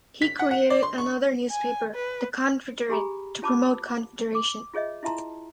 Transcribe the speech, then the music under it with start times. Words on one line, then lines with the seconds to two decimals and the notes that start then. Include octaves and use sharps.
He created another newspaper, "The Confederate", to promote Confederation.
0.22 B6
0.39 F#5
0.51 F#5
0.70 D5
0.83 C6
0.98 C#6
1.51 G#5
1.94 B4
2.89 G4 G#4 G#5 A#5 B5
3.42 F4 C#5 A5 B5 D6
4.35 D6
4.74 F4 G#4 C#5 D#5 E5
5.03 E4 F4 E5 A5 A#5 C6